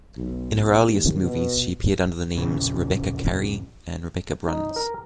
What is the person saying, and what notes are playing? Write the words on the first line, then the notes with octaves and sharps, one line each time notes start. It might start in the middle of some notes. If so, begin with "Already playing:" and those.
In her earliest movies, she appeared under the names "Rebecca Carre" and "Rebecca Bruns".
B1
D#2
B2
E1 A#1 C#3
D#4
A#4